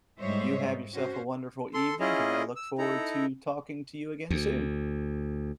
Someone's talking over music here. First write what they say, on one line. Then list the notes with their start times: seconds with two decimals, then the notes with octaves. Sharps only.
You have yourself a wonderful evening, and I look forward to talking to you again soon.
0.19 G#2 G3 C5 C#5 D#5 E5
0.93 C#4 F#4 C5
1.74 A4 C6
2.00 C#4 E4 F4 G#4 D#5
2.56 E6
2.78 D#4 E4 A4 A#5
4.30 D2